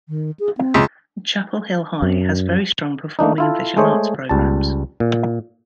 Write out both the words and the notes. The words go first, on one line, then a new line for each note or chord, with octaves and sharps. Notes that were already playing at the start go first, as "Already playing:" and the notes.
Chapel Hill High has very strong performing and visual arts programs.
D#3
G#4
C4
C#2
F#2
A3 A#3 D4 D#4
E4 F4 A4
G#3 A3 G#4 C5 C#5
C#2 G3 A5
A#2